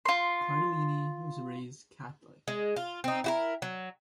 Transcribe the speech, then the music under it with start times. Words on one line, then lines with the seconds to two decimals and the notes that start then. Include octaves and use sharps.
Cardellini was raised Catholic.
0.05 F4 C6
2.48 G#3
2.76 F4
3.04 C4 D#4
3.24 E4 F#4 A#4
3.62 F#3